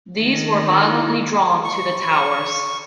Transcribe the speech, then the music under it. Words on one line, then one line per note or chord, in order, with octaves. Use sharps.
These were violently drawn to the towers.
D#3 A3
E4
C#6